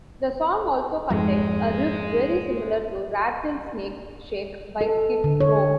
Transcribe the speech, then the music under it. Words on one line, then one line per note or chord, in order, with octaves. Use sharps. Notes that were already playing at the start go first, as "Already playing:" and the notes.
The song also contains a riff very similar to "Rattlesnake Shake" by Skid Row.
F2 G#2 G#3
A4
D3
C#5